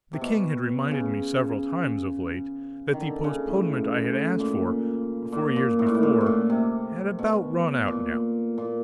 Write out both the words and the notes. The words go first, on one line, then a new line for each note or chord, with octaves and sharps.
The king had reminded me several times, of late, that the postponement I had asked for, four years before, had about run out now.
C3
B2
C#3
D#3
D3
C#3
A2
A#2
A#2
A#2
A2
A#2
A2
A#2
A2
A#2
C3
B2
A#2
A#2